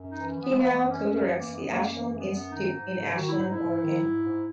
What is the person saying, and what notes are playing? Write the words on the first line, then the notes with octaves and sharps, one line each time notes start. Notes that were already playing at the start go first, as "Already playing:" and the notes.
He now co-directs the Ashland Institute in Ashland, Oregon.
Already playing: F#2
E3 D#4
C#4
E3
B3
G#3
E3 A#3
G#3
A#3
F#2
C#4
F#2
C#4
A#3
E3 B3
A#3
F#2
B3
F#2
A#3
E3 A#3
A#3
F#2
B3
F#2
B3
D#3 D#4
G#2
G#2
D#3 F#4
E4
G#2 D#4
E4
G#2
D#3
G#2
G#2